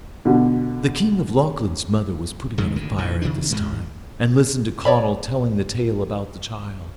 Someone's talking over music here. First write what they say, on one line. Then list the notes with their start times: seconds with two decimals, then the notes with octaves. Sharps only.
The king of Lochlann's mother was putting on a fire at this time, and listening to Conall telling the tale about the child.
0.25 B2 D3
2.58 G1 G#2 C#3 G#3
2.76 G#1 D2 A#2 D3
2.98 A#1 G#2 E3
3.22 C3 D#3 E3 D4
3.51 A1 G#2 G#3
4.85 C#5 D5 B5